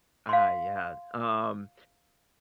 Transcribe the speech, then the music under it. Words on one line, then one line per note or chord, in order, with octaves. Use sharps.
I yeah, um,
F5 C6